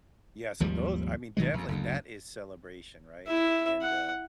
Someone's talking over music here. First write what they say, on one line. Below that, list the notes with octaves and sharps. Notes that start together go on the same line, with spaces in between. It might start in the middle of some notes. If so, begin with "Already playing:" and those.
Yeah. So those I mean, definitely, that is celebration. Right? And, uh,
G#1 D#2 F3 G3
B1 D#3 F#3 G#3
A#1 F2
F#1 D2
E4 E5
F#5